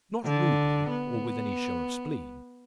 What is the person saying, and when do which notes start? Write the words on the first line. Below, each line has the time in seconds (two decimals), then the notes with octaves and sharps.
Not rudely, or with any show of spleen.
0.25 D3
0.90 B3